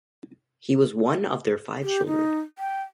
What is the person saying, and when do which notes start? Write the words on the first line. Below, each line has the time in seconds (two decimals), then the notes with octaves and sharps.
He was one of their five children.
1.83 G4
2.06 D#4
2.59 G5